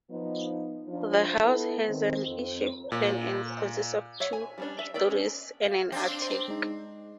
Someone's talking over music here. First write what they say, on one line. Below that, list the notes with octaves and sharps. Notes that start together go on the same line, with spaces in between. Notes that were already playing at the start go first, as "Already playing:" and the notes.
The house has an E-shaped plan and consists of two storeys and an attic.
F3 B3 D#4
F3 D4 F4
B3 E4 A4 B4
D#3 C4
F2 C4
A#2
C#5 E5 F#5
G#5
G3 C#4 D4
E5
B3 A4 D5 E5 G5
C#4
F5
C4 D4
C5
G#3 D#4